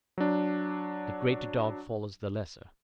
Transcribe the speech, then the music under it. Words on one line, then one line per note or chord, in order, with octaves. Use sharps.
The Greater Dog follows the Lesser.
F#3 D4